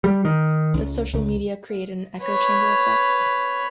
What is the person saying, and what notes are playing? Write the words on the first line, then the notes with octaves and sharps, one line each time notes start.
Does social media create an echo chamber effect?
G3
D#3
C#2
C#2
B4 C#5